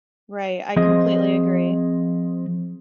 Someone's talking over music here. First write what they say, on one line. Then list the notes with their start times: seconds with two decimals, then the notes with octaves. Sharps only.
Right, I completely agree.
0.76 F3 C4 G#4 D#5